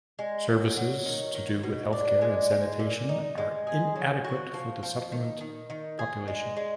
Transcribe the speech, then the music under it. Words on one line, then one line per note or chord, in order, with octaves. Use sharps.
Services to do with health care and sanitation are inadequate for the settlement population.
G#3
F#3
F#3
D#3
D#3
B2
D4
G#3
G#3
A#2
D#4
G#3
G#4
F#3
F#4
F3
F3
D#3
D#3
D#3
G#4
G#3
G#3